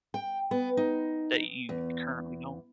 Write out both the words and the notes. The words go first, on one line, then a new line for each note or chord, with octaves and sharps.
that you currently don't.
G5
B3
D#4
E2